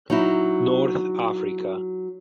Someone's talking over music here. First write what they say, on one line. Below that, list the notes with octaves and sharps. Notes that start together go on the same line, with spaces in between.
North Africa.
F#3 D#4 E4